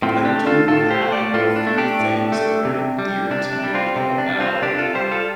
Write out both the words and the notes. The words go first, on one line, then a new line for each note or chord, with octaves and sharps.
I do have a few things that are very dear to me about
A2 C4 F4
D4 G4
A3
F4 A4
A2 F4 A4
G4 C5
A3
A4 D5
A2 F4 A4
D4
A3
D4 G4
A2
A3
C3
G3
C3 D4
D4
G3
C4 F4
C3 C4
D4
G3
C4 F4
C3 D4 G4
F4 A4
G3 G4 C5
F4 A4